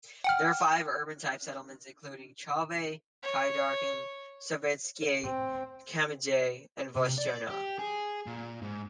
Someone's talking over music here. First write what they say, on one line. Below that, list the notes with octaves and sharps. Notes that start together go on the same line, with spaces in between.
There are five urban-type settlements, including Chauvay, Khaidarkan, Sovetskiy, Kadamjay and Vostochny.
F#5 G5 F6
C#5
C4
C3
D5
G4
G#4
A#2
G#2